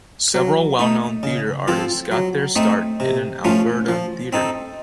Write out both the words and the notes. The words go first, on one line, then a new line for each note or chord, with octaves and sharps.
Several well-known theatre artists got their start in an Alberta theatre.
F#3
A3 D#4
C#3
F3 C4 F4 A4
F#3
A3 C4 D#4
C3
F3 A3 C#4 F4
F3
C4 D#4 A4